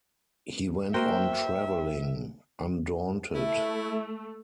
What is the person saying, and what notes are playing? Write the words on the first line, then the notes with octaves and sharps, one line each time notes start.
He went on traveling, undaunted.
A#3 F#4 A#4 C5 E5 G5
A3 E4 E5